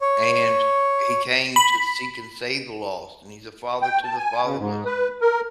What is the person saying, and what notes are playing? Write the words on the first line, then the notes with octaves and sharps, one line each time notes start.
And he came to seek and save the lost, and he's a father to the fatherless.
C#5
B5
G5
A5
G#5
C#3
G#2
B4
A#4